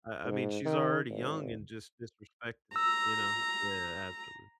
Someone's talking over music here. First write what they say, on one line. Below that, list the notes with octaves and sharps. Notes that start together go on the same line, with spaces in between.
I I mean, she's already young and just disrespecting you know yeah, absolutely.
G#2
D#3
G#1
A#5 E6